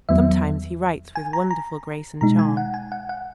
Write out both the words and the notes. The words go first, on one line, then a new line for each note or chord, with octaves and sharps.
Sometimes he writes with wonderful grace and charm.
E2 D#3 F#3 B3 E5
G#5
A#5
A#5
B2 G#3 D#4 A#5
G#5
F#5
G#5
F#5
F#5